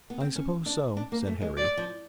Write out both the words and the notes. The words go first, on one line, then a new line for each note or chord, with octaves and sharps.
"I suppose so," said Harry.
B3
C4
C#4
D4
D4
A#3
A3
G#3
G3 D5
F3